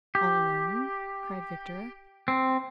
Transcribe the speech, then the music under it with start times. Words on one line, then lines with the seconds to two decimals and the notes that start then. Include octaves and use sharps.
"All alone?" cried Victor.
0.15 G4
2.28 C4